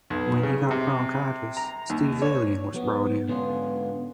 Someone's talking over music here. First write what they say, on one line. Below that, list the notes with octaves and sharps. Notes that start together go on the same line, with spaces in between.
When he got bronchitis, Steve Zaillian was brought in.
B1
C#3
C3
A#5
D#2
C#5
F#3 B3
G#2 D3 B3 C#4 F4